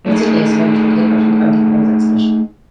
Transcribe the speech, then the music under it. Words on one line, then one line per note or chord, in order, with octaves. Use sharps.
North Sydney is home to the Cape Breton County Farmer's Exhibition.
A3 D#4 G#4